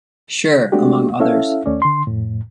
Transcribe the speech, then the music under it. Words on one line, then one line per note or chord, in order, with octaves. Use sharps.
Sure!, among others.
G#3 A3 C4 D4 F#4 G4
C#4 E4 A4 E5 F5
D#2 A3 C#4 D5
D3 C6
F2 A2